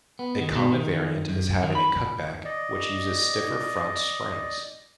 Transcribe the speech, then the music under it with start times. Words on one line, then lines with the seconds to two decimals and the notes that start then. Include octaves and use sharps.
A common variant is having a "cutback", which uses stiffer front springs.
0.19 B3
0.41 D#3
0.56 B2
0.72 D#3
1.29 F#2
1.63 D#3
1.75 B5
2.45 D5 D#5